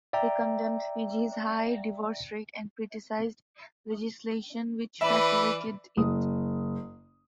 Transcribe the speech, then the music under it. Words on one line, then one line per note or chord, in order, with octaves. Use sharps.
He condemned Fiji's high divorce rate, and criticized legislation which facilitated it.
D5 E5 G5 A#5
E3 B4 D5 E5 B5
F#1 D#6